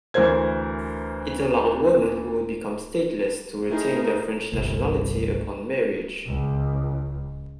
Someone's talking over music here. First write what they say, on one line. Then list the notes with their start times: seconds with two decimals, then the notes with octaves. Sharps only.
It allowed women who would become stateless to retain their French nationality upon marriage.
0.14 D2 E3 A#4 C5 G#6
3.69 A2 D#4 G#4 A#4
4.53 G1 C2
6.26 C#2